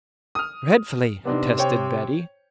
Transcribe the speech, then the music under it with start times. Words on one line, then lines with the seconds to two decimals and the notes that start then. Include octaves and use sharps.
"Dreadfully," attested Betty.
0.35 D#6 F6
1.25 C3 B3 D4 D#4
1.58 C5 C#5 G5